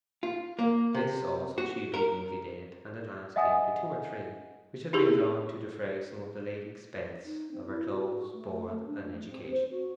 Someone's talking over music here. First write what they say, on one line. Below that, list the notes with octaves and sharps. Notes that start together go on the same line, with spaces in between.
This, also, she obediently did, and at last came to two or three which had been drawn to defray some of the late expenses of her clothes, board, and education.
F4
A#3
C3
F#4
A#4
D#5 E5 F#5 G#5 D#6
D#4 E4 G4 G#4 A#4
D#4
C4
E4
F#4
A3
D4
A3
C4
C5
F#4